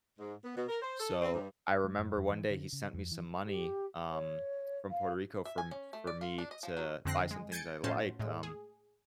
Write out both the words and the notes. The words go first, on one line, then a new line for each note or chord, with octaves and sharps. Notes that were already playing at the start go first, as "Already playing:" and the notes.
so, I remember one day he sent me some money, um, from Puerto Rico, for m for me to buy some things that I liked, um,
G#2
B3
B2
A#4
C5
A4
C4
G2
G#3
F#2
F2
E3
D3
C#3
F2
E3
G4
C#5
F5
E5
G#5
C#4
A3
D5
F4
D4
D#5
F3
F#3
F2 D3 C4 F#6 A#6 C7
G#3
G#5 G6 A6 C#7 D7
A2 C#4 F#4 C5 A5 C6
A2 G#3
G#4